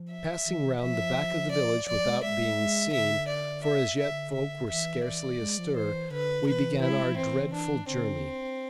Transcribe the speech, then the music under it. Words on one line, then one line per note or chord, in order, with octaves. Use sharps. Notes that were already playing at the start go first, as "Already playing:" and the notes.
Passing round the back of the village without being seen, for as yet folk were scarcely astir, we began our dreadful journey.
Already playing: F3
E5
E3
E3
F3 E5
D5
F3 D5
G#3
G#3 E5
G#3
D3 E5
D5
E5
D3 E5
E5
E3 E5
E3 D5
G#3
F3
E3 C5
D3 B4
E3 B4
E4
G#3
F3
E3 C4
D4
D3 C4